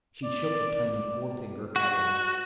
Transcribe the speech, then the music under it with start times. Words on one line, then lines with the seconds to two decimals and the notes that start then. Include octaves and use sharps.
She shook a tiny forefinger at him.
0.24 D5
1.76 F#4